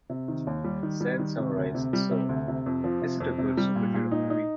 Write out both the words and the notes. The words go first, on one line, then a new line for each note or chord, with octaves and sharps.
Sen summarised So, is it a good superhero movie?
C3
D#3
D#2
G3
D#3
G3
D#3
C3
D2
C3
G3
C3
D2
C3
F2
F3
C3
F2
C3
G3
A#2
A#2
D#4
D#4